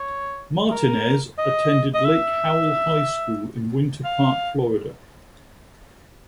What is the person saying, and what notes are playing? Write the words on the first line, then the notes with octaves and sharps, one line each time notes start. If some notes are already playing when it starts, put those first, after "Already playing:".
Martinez attended Lake Howell High School in Winter Park, Florida.
Already playing: C#5
A#4
D#5
D#5
E5
F5